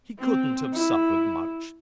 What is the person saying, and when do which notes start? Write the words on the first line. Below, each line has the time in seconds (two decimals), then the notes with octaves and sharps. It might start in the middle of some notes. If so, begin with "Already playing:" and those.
He couldn't have suffered much.'
0.19 C4
0.73 E4